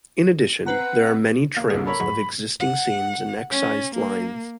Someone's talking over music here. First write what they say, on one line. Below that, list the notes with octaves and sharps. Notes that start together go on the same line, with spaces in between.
In addition, there are many trims of existing scenes and excised lines.
C4 B4 F#5 A#5
A#3 F5
C2 A#2 D3 G#4
A4 A#4 C#5 B5
G#2 F#3 C#6
F#5
C#4
A#3